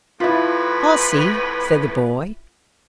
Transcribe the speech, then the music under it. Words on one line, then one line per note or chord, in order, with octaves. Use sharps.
"I'll see," said the boy.
F2 A2 E4 F4 B4